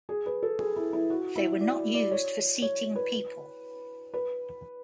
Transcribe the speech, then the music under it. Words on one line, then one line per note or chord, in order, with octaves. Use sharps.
They were not used for seating people.
G#4
B4
A4
G#4
E4
E4
F#4
E4
D5
D5
C#5
C#5
B4
B4